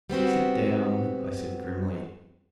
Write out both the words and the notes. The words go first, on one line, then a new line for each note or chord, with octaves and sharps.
"Sit down," I said grimly.
G3 B3 C4 F#4